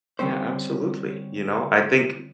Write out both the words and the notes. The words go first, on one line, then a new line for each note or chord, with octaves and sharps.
Yeah, absolutely, you know? I think
D3 G3 C4 C#4 C5